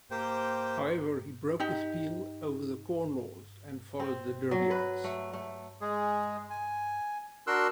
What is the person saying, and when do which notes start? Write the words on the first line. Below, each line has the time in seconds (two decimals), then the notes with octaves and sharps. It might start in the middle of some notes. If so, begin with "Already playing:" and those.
However, he broke with Peel over the Corn Laws and followed the Derbyites.
0.11 A#3 G4 C5 G5
1.60 D#4 G4
4.00 C4
4.51 F#3
4.71 B4
5.04 A3
5.33 A3
5.81 G#3 G#4
6.50 G#5
7.47 D4 F#4 A#4 C6 E6 F#6